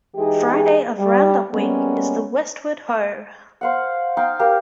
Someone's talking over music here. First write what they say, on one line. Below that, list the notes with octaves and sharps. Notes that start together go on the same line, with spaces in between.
Friday of Round-Up week is the Westward Ho!
E3 G#3 D#4 G4 G#4
G3
G3 G#3 A#3 B3 C#4
C5 F5 F#5
D#4 F5 G5
G4 A#4 F5